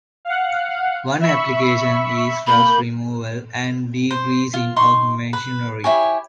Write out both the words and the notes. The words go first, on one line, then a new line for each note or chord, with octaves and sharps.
One application is rust removal and degreasing of machinery.
F5 F#5
E5 B5 C#6
A#3 B5 G6
C5
F4
D#4 C6 C#6
B4
E4 G4 C#5 G#5